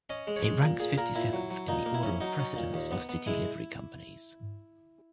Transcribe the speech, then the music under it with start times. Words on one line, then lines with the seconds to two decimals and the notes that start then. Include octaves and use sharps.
It ranks fifty-seventh in the order of precedence of City Livery Companies.
0.10 C#4 D#5
0.27 G#3
0.36 C#5
0.44 G#3
0.62 A#2
0.80 A#2 G#4
0.98 A#2 A#4
1.15 A#2 E4
1.33 F#3
1.50 F#3
1.68 A#2 D#4
1.86 A#3
1.94 E4
2.03 C#4
2.21 F#3 D#4
2.39 C#4
2.56 A#2
2.74 D#2
2.92 B3
3.09 B3
3.27 G#3 E4